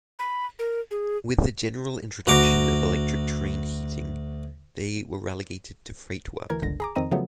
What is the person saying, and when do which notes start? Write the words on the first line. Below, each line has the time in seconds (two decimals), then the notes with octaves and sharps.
With the general introduction of electric train heating they were relegated to freight work.
0.19 B5
0.59 A#4
0.91 G#4
2.27 D2 F#4 A#5 D6
6.50 D2 E3 A#4 G#6
6.62 G1 C#2 D3 A#6
6.80 G#4 A#5 D6
6.95 F2 D#3 C4 D#5 A#5 D#7
7.11 C#3 F3 F#3 A3 B3